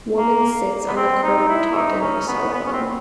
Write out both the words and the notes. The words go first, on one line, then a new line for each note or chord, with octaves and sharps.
Woman sits on the curb talking on a cellphone.
A#3
B3
C4
D#4
E4
D#4
C#4
B3
B3
C#4
C4